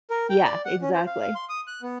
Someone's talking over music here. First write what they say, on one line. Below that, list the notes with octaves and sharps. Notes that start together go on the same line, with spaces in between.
Yeah, exactly.
A#4
G5
D5
F#5
C#4
C5
F5
F5
C6
D#6
F#6
B3